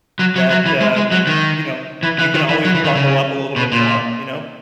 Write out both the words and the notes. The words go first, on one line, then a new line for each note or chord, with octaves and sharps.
that, um, eh you know, you can always bundle up a little bit more. You know?
F#3
F#3
F#3
E3
G#3
G#3
F#3
D#3
E3
E3
D#3
E3
F#3
E3
D#3
C#3
B2
A#2